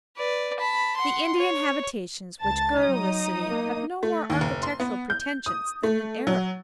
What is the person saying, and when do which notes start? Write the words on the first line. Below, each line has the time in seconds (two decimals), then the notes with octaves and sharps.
The Indian habitations which girdle the city have no more architectural pretensions than an Arab dwelling.
0.17 B4 D5
0.59 A5 B5
0.96 F#5 C6
1.37 C#5
2.42 C#2 A5 A6
2.80 F#3 D#4 D#6
3.46 A#3
4.03 A3
4.30 D#2
4.41 F#1
4.63 C6
4.80 B3
5.10 G6
5.46 D#6
5.83 A3
6.27 F#3